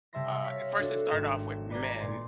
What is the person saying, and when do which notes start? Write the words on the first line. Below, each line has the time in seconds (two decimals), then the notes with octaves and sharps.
uh at first it started off with men
0.13 C3 G3 E5 A5 C6 A#6
0.44 C#5 F5 B6
0.78 C4 D4 F#4 A4
1.11 G#1 E7
1.71 B4 D5 A#5 G#6
1.98 A#2 C6 A6